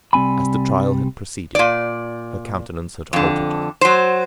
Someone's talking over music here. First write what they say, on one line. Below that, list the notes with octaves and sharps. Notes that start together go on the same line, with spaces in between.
As the trial had proceeded, her countenance had altered.
C2 G3 C4 G#5 B5
A#2 D5
F2 D3
F#3 C5